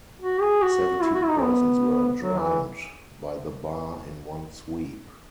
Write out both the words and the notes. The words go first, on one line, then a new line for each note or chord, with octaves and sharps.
Seventeen persons were drowned by the bar in one sweep.
F#4
G#4
F#4
E4
F#4
E4
D#4
B3
F#3
E3